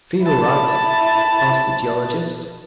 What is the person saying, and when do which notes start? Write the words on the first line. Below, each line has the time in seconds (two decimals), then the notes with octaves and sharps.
"Feel all right?" asked the geologist.
0.22 E4 A5